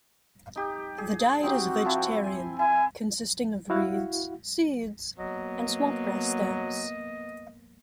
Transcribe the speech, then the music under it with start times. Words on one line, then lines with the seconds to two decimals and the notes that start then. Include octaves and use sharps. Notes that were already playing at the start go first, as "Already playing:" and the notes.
The diet is vegetarian; consisting of reeds, seeds and swamp grass stems.
0.56 D#4 G4
0.98 G#4
1.43 C4 D#4 F#4 G4
1.85 F3 C4 E4
2.24 G#5 C6
2.59 E4 G#5
3.70 E4 F#4 F5 F#5
5.19 F#3 A#3 B3 D#5